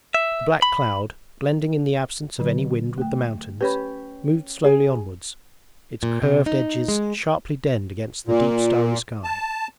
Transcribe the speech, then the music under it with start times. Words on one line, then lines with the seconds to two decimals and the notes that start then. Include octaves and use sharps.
The black cloud, blending in the absence of any wind with the mountains, moved slowly onwards, its curved edges sharply denned against the deep starry sky.
0.14 E5
0.62 B5
2.39 D3 F#3
2.98 A3 G5
3.61 C#4 G4 B4 C#5 B5
4.64 G#4 G#5
6.03 A#2
6.22 C3
6.46 D#4
6.88 G#3
8.27 A#2
9.24 A5